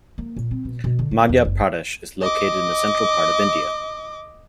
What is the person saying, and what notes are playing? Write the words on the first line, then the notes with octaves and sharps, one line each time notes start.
Madhya Pradesh is located in the central part of India.
A#3
A#2
C4
B2
B2
D3
A3
E2
F#1
D#5 D6